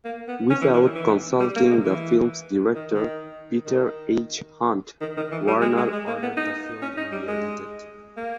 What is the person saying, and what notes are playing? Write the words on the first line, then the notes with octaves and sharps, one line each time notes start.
Without consulting the film's director, Peter H. Hunt, Warner ordered the film re-edited.
A#3
B3
C#4
E3
E3
D#3
E3
G3
A#3
G#3
E3
D#3
D#3
D#3
D#3
D#3
E3
G3
G#3
G#3
G#3
A#3
B3
D#4
C#4
D#4
G3
G#3
A#3